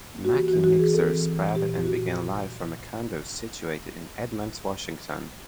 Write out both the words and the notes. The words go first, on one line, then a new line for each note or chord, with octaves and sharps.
Mackie Mixers sprouted and began life from a condo situated in Edmonds, Washington.
A#3
F#4
E3 G4
F#4
E3
F#4
E3
G#4
C4 A4
E3
E3
A#2 G4
F#3 G4
F#4
A#2
F#3
A#2
A#2